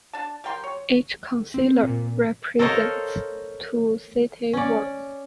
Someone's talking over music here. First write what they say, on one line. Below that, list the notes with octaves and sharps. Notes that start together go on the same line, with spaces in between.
Each councillor represents two city wards.
D4 A5
G3 A#4 G5 C6
C#5
C4
A#2
A4 A#4 C5 C#5 D#5 F5
C#4 D5